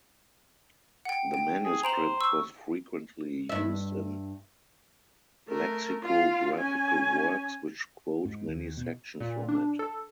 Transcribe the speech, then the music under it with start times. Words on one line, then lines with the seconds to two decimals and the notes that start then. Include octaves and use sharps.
The manuscript was frequently used in lexicographical works which quote many sections from it.
1.05 F#5 G5
1.34 G5
1.65 G#4
1.84 C5 A#5 D7 F#7
2.20 C#6 E6
3.49 G2 E5
5.48 A3 A#4
6.03 F4 F5
6.56 C#4 G#5
8.25 G#2
8.48 D#2
8.77 B2
9.20 A#2
9.49 D4
9.79 A4